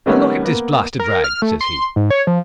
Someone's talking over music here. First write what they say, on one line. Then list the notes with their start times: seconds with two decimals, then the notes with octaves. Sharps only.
And look at this blasted rag, says he.
0.06 D#3 G3 A3 B3 C#4 D#4
0.43 A#3 B3
0.99 A#4
1.24 F6
1.42 A3
1.61 C6
1.96 G#2
2.10 C#5
2.27 F3